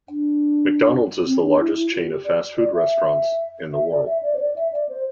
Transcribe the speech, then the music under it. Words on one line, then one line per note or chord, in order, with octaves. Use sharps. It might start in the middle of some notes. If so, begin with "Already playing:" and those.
McDonald's is the largest chain of fast food restaurants in the world.
D4
C4
D4
E4
E4
F4
G4
D5
D5
E5
E5
D5
E5
D5
C5
D5
E5
D5
C5